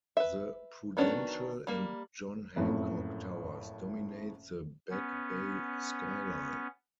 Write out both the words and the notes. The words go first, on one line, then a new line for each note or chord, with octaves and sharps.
The Prudential and John Hancock towers dominate the Back Bay skyline.
B4 E5
D#3 F#3 B3 C#4 D4
G3 A#3
F#1 F2 A2
B3 C#4